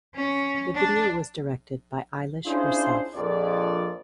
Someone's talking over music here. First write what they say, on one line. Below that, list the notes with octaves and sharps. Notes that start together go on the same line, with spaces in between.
The video was directed by Eilish herself.
C#4
D4
C#4 D4 E4 F4 G#4 C5
A#1 F2 D5